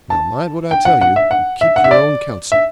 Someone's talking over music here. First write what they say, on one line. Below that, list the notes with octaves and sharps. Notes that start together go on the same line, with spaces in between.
Now, mind what I tell you, and keep your own counsel.'
A5
G5
F#5
F#5
E5
F#5
E5
F#5
E5
D5
E5